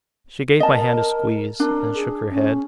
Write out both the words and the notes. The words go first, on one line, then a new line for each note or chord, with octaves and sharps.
She gave my hand a squeeze, and shook her head.
A#4 D#5 A5
D4 A#4
G#4
C#4